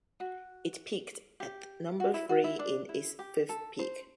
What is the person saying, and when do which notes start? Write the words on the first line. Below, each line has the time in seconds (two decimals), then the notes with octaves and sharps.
It peaked at number three in its fifth peak.
0.20 F#4
1.40 G4
2.00 F#4
2.14 E4
2.29 F#4
2.44 E4
2.59 D4
2.89 E4
3.19 G4
3.49 A4
3.79 C5